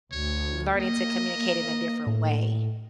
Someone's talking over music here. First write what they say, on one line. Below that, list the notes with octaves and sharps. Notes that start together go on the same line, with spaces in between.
learning to communicate in a different way.
D2 C#5
A#3 D#5
A2